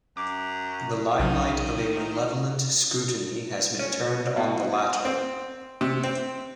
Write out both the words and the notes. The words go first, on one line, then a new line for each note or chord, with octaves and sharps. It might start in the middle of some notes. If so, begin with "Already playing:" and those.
The limelight of a malevolent scrutiny has been turned on the latter.
F#2 D6
B1 D#3 F#3
C#4
B2
C4
C3
C4